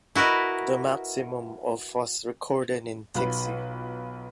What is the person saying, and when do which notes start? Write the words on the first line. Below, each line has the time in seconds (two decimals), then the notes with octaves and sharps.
The maximum of was recorded in Tiksi.
0.15 E4 F#4 A#4 B4 D#5
3.15 B1 F4 B4